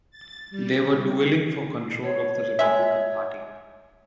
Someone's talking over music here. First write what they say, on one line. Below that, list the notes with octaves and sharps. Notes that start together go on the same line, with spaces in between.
They were dueling for control of the Republican Party.
A6
G3
C#5
G#3 E5